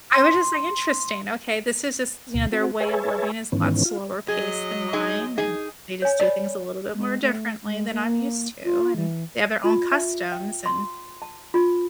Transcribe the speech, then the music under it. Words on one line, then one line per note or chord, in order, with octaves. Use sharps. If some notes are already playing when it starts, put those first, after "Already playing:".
I was just like, "Interesting, okay, this is just, you know, their way of living is a lot slower pace than mine, and they just do things a little bit more differently than I'm used to, and they have their own customs," and
C6
D2 B2
C4 F#4
G#4 B4 C#5 E5 G#5 A5
G#2 D#3 E3 B3 C#4
F4
F#3 G#4 D#5
G#3 D#4 G#4
D#4 G#4
C#5 G#5
D5 A5 B5
G#3
A3
G#3
A#3
F4
E3
F4
E5
G5
C6
A5
F4